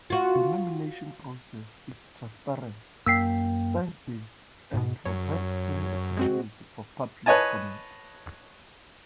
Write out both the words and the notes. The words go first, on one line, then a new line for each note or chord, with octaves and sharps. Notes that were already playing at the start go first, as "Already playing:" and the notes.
The nomination process is transparent, science-based, and provides an opportunity for public comment.
F4 F#4
F#2 A#3 G5 E6 B6 C7
G#2 B2
F#2 C#5
G#3 C4 F#4
B4 C#5 D#5 G#5 A5